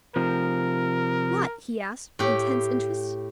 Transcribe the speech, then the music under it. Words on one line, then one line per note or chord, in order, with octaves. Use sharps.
"What?" he asked, with intense interest.
C3 F3 A#4
A2 G4